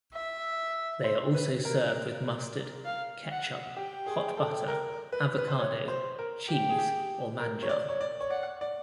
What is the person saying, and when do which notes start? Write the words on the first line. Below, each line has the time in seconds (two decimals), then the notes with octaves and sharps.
They are also served with mustard, ketchup, hot butter, avocado, cheese or manjar.
0.14 E5
1.04 C5
1.35 B4
1.65 A#4
2.86 F5
3.31 F#5
3.76 G4 G5
4.06 G#4
4.37 A4
4.68 A#4
5.12 B4
5.38 B4
5.48 C5
5.58 C#5
5.88 C5
6.19 A#4
6.49 G4 G5
6.69 G#4
6.78 G4
7.40 A#4
7.63 C#5
7.69 D5
7.89 C#5
8.01 D5
8.20 C#5
8.30 D5 F#5
8.61 D5